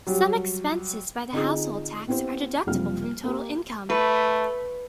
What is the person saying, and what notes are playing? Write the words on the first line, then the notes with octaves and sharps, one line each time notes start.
Some expenses by the household tax are deductible from total income.
F#3 G3
D3 C4 D#4 F4 G#4
B3 C4 E4 G4 C5
F#1 C3 F3 G3 F6
A#3 G4
A3 B4